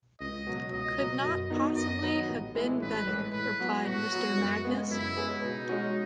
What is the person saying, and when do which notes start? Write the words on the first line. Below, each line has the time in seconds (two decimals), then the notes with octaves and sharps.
Could not possibly have been better,’ replied Mr. Magnus.
0.20 C#2 D#5
0.47 B2 F#3
0.73 C#2 D#5
0.98 B2 F#3
1.25 F#2
1.50 D#3 F#3 B3 D#4
1.76 F#2 D#5
2.03 D#3 F#3 B3 D#4
2.29 A1
2.55 A2 E3 G#3
2.82 A1 B4
3.07 A2 E3 G#3
3.33 A2 B4
3.60 F#3 B3
3.85 A2 F#4
4.12 F#3 B3
4.38 F#2
4.65 C#3 G#3 B3
4.91 F#2 E4
5.16 C#3 G#3 B3
5.42 B2 D#4
5.69 G#3 C#4 F#4